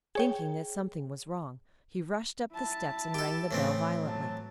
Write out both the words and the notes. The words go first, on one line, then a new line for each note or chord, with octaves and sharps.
Thinking that something was wrong, he rushed up the steps and rang the bell violently.
G#4 C#5 G5
E4 A5
G4 A4
A2 E3 C4
F#3 A5